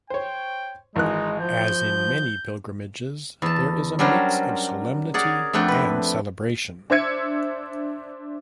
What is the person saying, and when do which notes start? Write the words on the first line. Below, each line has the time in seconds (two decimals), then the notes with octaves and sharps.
As in many pilgrimages, there is a mix of solemnity and celebration.
0.10 C5 C#5 G5
0.96 G#1 E3 G#3 D#4 F#6
1.40 F3 G6
3.42 E2 A5
3.99 F#3 G3 C#4 D4 A#4 C5
5.14 G#4 A#4 D5 F#5
5.53 F2 A3 D4 F#5 G5
5.68 B4
6.90 D4 C5 E5 E6 G#6 C#7